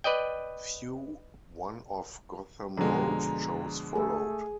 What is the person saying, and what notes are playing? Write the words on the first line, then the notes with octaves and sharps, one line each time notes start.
Few one-off Gotham Road shows followed.
B4 D5 D#5 G5
F2 B2 D3 G#3 A#5
A3 G#4